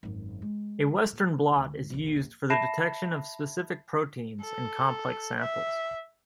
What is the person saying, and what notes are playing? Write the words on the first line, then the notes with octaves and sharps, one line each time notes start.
A Western blot is used for the detection of specific proteins in complex samples.
G#1 F#2
G#3
A#2
D2
A#1 E2
E5 A5 B5 A#6 C7 E7
A4
E5